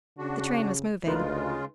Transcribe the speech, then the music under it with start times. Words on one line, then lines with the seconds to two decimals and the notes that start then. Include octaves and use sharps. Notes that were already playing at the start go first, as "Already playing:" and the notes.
The train was moving.
0.18 C#3 D4 F#4
1.07 D2 C#3 G#3 D#4 F4 A#4 B4